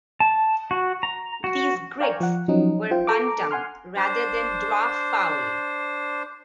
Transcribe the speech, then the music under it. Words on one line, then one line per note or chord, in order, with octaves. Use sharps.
These Grigs were bantam rather than dwarf fowl.
A5
F#4
A#5
F#4
D5 F5 G5 G#5 A#5 C#6
F3 F#5
F3 F#3 C#4 D#4
F4 C5 G5
A4 A#5 D6
F#5 G#5 C6 F6
D4 C5